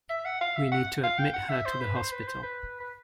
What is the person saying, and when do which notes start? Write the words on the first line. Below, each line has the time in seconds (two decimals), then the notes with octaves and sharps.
We need to admit her to the hospital.
0.10 E5
0.25 F#5
0.41 F5
0.56 E5
0.71 F#5
1.03 F5
1.18 G5
1.33 F#5
1.49 E5
1.65 C5
1.81 B4
1.96 C5
2.12 B4
2.27 C5
2.43 B4
2.80 B4